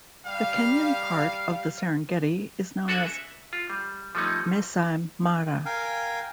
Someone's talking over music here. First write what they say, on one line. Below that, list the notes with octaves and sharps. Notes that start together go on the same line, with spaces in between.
The Kenyan part of the Serengeti is known as Maasai Mara.
G3 F5
D4 F#4 A4 D5 E5 G#5
E5
F4
G3
F3 G3 A3 C#4 D#4
A#4 F5 G5 G#5